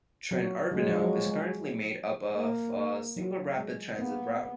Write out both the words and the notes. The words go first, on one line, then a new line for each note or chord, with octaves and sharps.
Tren Urbano is currently made up of a single rapid transit route.
F#3
F#3 G#3
F3
F#3
G#3
A#3
F#3
G#3
A#3 B3